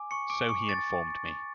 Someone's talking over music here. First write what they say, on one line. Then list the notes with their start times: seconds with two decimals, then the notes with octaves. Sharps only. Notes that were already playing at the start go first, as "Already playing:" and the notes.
So he informed me.
Already playing: G#5 D6
0.11 C#6 C#7
0.30 D6 D7
0.49 C#6 C#7
0.69 A6